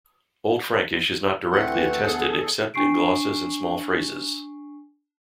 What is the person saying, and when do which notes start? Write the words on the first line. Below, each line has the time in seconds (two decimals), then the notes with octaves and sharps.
Old Frankish is not directly attested except in glosses and small phrases.
1.52 D2 E3 A3 C4 F#5
2.01 E2 G#4 A4
2.74 D4 G#5 C#6 C7 D7